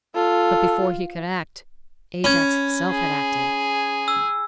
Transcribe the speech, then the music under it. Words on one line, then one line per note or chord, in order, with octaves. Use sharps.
But before he could act, Ajax himself had acted.
F4 A4
C#4 B5 G#6
G#4
E6